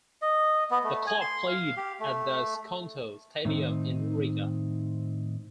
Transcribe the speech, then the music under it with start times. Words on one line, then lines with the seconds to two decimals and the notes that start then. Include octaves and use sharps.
The club played at the Skonto Stadium in Riga.
0.22 D#5
0.71 B3
0.84 A3
1.07 G#5
1.21 C6
1.47 F5
1.77 G4
2.00 A3
3.45 A2 D#3 C4 D#4